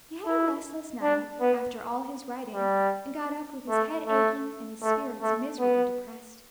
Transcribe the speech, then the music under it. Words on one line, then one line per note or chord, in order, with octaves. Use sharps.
He had a restless night, after all his writing, and got up with his head aching, and his spirits miserably depressed.
E4
D4
B3
G3
A3
A3
A3
A3
B3